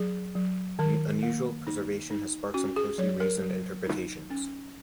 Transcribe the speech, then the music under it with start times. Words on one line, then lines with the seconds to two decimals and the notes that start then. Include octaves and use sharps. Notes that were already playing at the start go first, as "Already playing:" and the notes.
Unusual preservation has sparked some closely reasoned interpretations.
Already playing: F#3 G#4
0.35 F#3
0.79 D#3 A#4
1.23 A#3
1.67 D#4
2.11 D#4
2.54 C#4 F#4
2.76 G#4
2.98 F#3 C#5
3.20 A#4
3.43 F#3
3.87 D#4
4.30 C#4